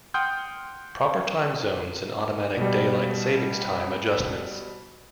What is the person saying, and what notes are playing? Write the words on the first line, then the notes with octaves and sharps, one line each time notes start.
Proper time zones and automatic Daylight Saving Time adjustments.
F#5 G5 C6 D#6 F6 G6
B2 G3